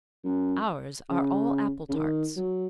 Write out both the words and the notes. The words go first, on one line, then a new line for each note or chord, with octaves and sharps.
Ours are all apple-tarts.
F#2
C#3
C#3
D#3
F#3